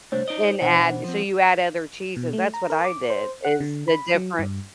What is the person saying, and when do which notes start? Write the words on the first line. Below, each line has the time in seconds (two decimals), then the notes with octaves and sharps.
And add so you add other cheeses, that's what I did is the different
0.12 C2 A3 D4 C5 C#5
0.28 D#4 D5 D#5
0.61 B2 E3 D4 C5 F#5
1.04 F3 C4
2.16 B2
2.33 A3
2.54 A#5
2.70 A#4
2.84 D6
3.10 C5
3.45 F#5
3.60 D3
3.88 B5
4.14 F#3
4.39 G2